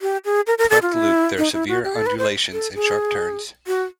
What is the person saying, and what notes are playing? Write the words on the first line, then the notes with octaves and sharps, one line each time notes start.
Throughout the loop there are severe undulations and sharp turns.
G4
G#4
A#4
A#4
A4
F4
E4
D#4
E4
F#4
G4
A4
B4
C5
A4
G#4
F#4